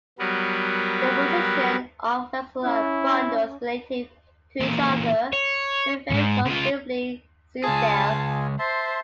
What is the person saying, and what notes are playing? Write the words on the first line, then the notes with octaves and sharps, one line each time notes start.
The position of vascular bundles relative to each other may vary considerably: see stele.
F#3 G3 B3 A#4 B4
C#4 E4
A#2 E3
C#5
D#2 G#2
C#3 F4
C#2 F4 G#4 G#5 A5
C5 E5 A5 C6